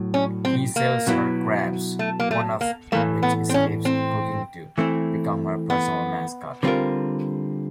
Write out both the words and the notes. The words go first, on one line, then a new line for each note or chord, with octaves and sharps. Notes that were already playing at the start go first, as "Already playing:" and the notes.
He sells her crabs, one of which escapes cooking to become her personal mascot.
Already playing: A2 F#3
C#4
C4
A#3
B2 F#3 B3 E4
A3
A#3
A3
A#3
A2 E3 A3 A#3
B3
C4
C#4
C4
E3 A3 C4 E4
B3
D3 G3 C4 F4 A#4